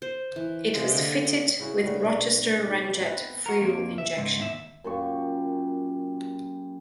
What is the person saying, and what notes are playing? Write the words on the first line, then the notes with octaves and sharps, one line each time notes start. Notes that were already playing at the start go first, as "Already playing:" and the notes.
It was fitted with Rochester Ramjet fuel injection.
C5
E3
C3 G#3 A#3
D3 G5
D#5
C#3 E4 F#4 G#4
C#3 G3 A3 F#4
B2 D4
D#3 B3 C#4
B3 C4 B4 E5
F#4 A#4
F2 A#3
E5
C#2 G#2
D#2 E5
F#2 A#2 G4 C#6